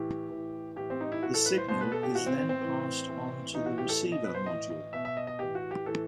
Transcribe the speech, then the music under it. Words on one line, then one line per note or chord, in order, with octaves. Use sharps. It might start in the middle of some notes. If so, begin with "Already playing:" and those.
The signal is then passed on to the receiver module.
Already playing: A2 E3 G4
A2 E3
A2 E3 G4
C4
D#4
E4
A2 E3 F#4
A4
B4
C5
B2 C5
B4
A4
G4
A2 E3 F#4
C4
C4
C4
A2 E3
A2 E3
A2 E3 D#4
F#4
G4
A4
B2
D#5
B4
C5
A2 E3 D#5
D#5
B2 E5
E5
D#5
D#5
A2 E3 G4
F#4
G4
A2 E3 A4